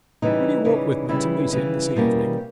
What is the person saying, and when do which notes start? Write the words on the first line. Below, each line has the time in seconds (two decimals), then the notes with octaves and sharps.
"Will you walk with me to meet him this evening?"
0.22 C#3 E3 G3 D#4
0.65 C#3 E3 G3
1.09 C#3 E3 G3 E4
1.52 C#3 E3 G3
1.96 B2 G3 A#3 C#4